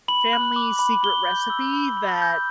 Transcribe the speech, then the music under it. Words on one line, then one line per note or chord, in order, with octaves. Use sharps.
family secret recipe that
B5 F#7
F#6
D6
B5
B5 G7
G6
E6
B5
B5
G6